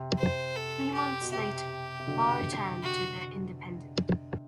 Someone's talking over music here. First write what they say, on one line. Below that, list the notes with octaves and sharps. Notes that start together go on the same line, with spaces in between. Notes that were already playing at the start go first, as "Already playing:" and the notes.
Three months later, Marr returned to "The Independent".
Already playing: C3
C5
A4
G4
B2
C3 G4
C3
B2 D3
F#4